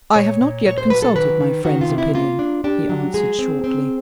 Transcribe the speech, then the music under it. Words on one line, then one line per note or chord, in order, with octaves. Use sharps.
"I have not yet consulted my friend's opinion," he answered, shortly.
A#2 C#5
A#2
A#2 C#5
C5
F#3 B4
A4
D#3 B4
D#3
D#3 F#4
F4
C3
E4
A#3 F4
D4
D4 G4
F#3
G#3 G#4
C4
C4